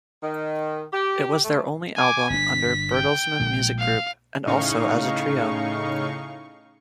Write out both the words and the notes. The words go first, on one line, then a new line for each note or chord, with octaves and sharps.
It was their only album under Bertelsmann Music Group, and also as a trio.
D#3
G4
A3
G#5 D6
G1 C#3 D4 B6
G5
A#1 A#2 G#3
F5
A2 C#3 D#4 F5 C#6